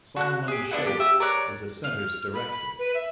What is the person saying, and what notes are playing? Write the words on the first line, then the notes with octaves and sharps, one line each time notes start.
Salman Shaikh is the Center's Director.
F#4 E6 F#6
G4 G#4
B3 D4 E4 F#5
G4
G4 E5 D#6
A#4 C#5 D5 F#6
F6
B5
B5
B4
E5